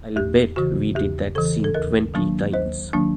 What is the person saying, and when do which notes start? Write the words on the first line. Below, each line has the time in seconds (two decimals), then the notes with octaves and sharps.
I'll bet we did that scene twenty times.
0.16 E2 G4
0.56 C#3 E3 F#4
0.96 E2 G4
1.35 C#3 E3 A4
1.64 A4
1.74 D#2 A#4
2.14 D#3 F#3 A#3 D4
2.53 D#2 C5
2.93 D#3 F#3 A#3 D4